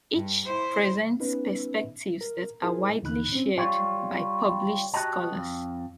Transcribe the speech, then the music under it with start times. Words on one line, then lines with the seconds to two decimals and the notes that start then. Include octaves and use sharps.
Each presents perspectives that are widely shared by published scholars.
0.14 G2
0.45 E4 C5
1.20 B3 C#4 D#4 B4
2.21 A#4
2.62 E4 G#4 A#4 C5
3.03 D#2 D3 E3 D#4 B5 F#6
3.33 C4 C#4
3.57 G3 F4 C#5
4.94 F#4 G4 D#5 A5
5.35 F2